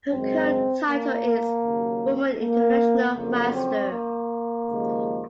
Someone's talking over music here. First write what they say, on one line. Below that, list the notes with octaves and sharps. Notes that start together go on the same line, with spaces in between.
Her current title is Woman International Master.
G#1 F#2 C#3 G#3 C4
A#3
D#2 C#3 F#3
A#3
F2 C#3 F#3 A#3
C4
A#3
D#2 C#3 F3 G#3